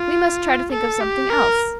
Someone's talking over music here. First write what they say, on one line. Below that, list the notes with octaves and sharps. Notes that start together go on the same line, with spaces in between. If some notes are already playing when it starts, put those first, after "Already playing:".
"We must try to think of something else."
Already playing: F4
A4
G4
A#4